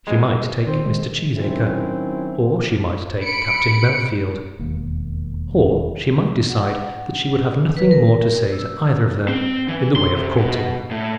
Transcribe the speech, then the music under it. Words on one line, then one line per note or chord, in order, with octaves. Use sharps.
She might take Mr. Cheesacre, or she might take Captain Bellfield--or she might decide that she would have nothing more to say to either of them in the way of courting.
B2 G#3
D#3 C4
G#3
D#3 F#3 C4 C#4 E4
B5 C#7 D7
E1 D#2 A#3
F#5
B4
A#4
E6
C4
E3
C6
C3
B2
A2